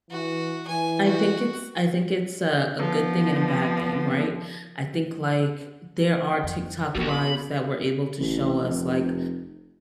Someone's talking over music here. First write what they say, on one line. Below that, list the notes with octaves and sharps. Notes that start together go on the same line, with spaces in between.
I think it's I think it's a a good thing and a bad thing, right? I think, like, there are TikTok Lives that were able to show us, like,
E3 F#4
E3 G#5
F#4
F3 B3
F#5 G5 C6
F2
C2 F#2 D#3 B3 F#4 A#4
B5 C6 D6 D#6
A1
F1